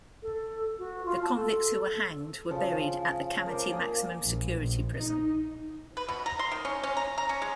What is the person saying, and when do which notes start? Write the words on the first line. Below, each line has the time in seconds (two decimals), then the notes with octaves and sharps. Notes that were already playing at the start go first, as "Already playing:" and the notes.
The convicts who were hanged were buried at the Kamiti Maximum Security Prison.
0.23 A4
0.79 F#4
1.05 F4
1.23 A5
1.36 A4
2.51 C#3 F3
3.46 A#4 C5 D5 G#5
3.68 A#3 G#4
4.24 A#1
4.60 A#1
4.97 D#4
5.97 B4
6.08 B2
6.26 A#5
6.39 C6
6.52 D#3
6.65 C#4
6.83 C#4
6.97 A#5
7.18 A#5
7.29 C#4
7.42 G#3